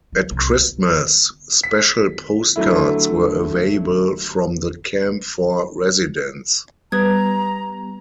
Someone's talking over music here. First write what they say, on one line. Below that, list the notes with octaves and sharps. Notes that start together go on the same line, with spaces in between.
At Christmas, special postcards were available from the camp for residents.
F3
C2
E4
B6
D3 F#3 A3 E4
G3 B3 B4 A#5 D#6 G#6